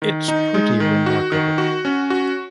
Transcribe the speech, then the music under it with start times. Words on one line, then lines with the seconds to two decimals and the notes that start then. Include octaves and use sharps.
It's pretty remarkable.
0.02 D#3
0.28 D#4
0.54 G#3
0.80 D#3
1.06 F#4
1.32 D#3
1.58 F#4
1.85 C#4
2.10 F#4